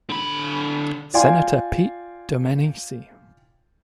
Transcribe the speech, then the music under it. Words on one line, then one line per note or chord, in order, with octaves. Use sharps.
Senator Pete Domenici.
D3 B5
F4 D5 F5 G5 G#5 C6